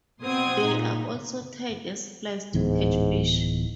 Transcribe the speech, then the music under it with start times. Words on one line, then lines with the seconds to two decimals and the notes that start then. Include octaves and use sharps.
They are also tied as flies to catch fish.
0.22 B2 C4 F#5 C6 D#6 G#6
0.64 A#2 D#4
2.54 D1 G#2 E3 B3